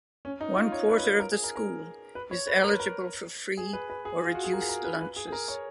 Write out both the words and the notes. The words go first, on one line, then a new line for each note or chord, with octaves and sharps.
One quarter of the school is eligible for free or reduced lunches.
C#4
D#4
F4
C#5
B4
B4
A#4
A#4
G#4
A#4
A#4
B4
C#5
B4
A#4
B4
A#4
G#4
B4
B4
G#4
F4
F#4
G#4
A#4
G#4
A#4
B4
B4
G#4
G#4
A#4
C#5